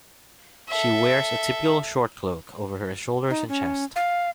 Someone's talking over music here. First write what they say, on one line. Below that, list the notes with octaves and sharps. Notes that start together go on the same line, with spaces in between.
She wears a typical short cloak over her shoulders and chest.
A4 E5
D#4
C#4
F5